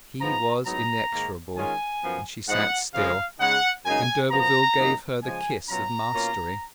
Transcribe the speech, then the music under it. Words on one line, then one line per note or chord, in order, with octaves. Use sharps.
He was inexorable, and she sat still, and d'Urberville gave her the kiss of mastery.
G#2 F3 B3 D#4 A#5
G#2 F#3 B3 D#4 A#5
G#2 D#3 A#3
D#3 G#3 C#4 F4 G#5
F#2 F3 B3
G#2 F3 G#3 B3 F#5
C#3 F3 G#3 F5
C#3 G#3 D#4 F#5
F#2 C#3 G#3 D#4 G#5
F#2 F3 B3 A#5
F#2 D#3 A#3 D#4
C#3 F3 G#3 G#5
B2 F#3 C#4 F4 A#5
B2 A#3 C#4 F4